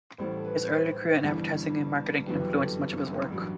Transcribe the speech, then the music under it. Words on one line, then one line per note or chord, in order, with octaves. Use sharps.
His early career in advertising and marketing influenced much of his work.
A1 A2 G3 C5
A4
B4
C5
G1 G2 E3 G3
G1 F#2 E3 G3 B4
G4
A4
A1 G2 F#3